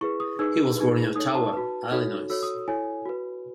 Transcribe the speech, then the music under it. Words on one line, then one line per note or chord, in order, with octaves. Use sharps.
He was born in Ottawa, Illinois.
E4 G#4 B4 C#6
D#6
D#4 G#4 B4 E6
D#4 G#4 B4
D#4 A4 C#5 D#6
A5
F#4 B4
D#4 F#4 A4 C#5
F#4 A4 C#5 E6
D#6
E4 A4 C#5 G#5
F#4 B4